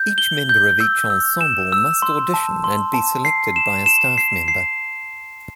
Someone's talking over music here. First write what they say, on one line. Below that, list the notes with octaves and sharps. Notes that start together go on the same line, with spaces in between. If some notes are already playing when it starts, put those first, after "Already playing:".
Each member of each ensemble must audition and be selected by a staff member.
Already playing: G6
G7
G6
E6
E6
E7
E6
C6
A5
C6
A5
C7
E7
E7
C7
C7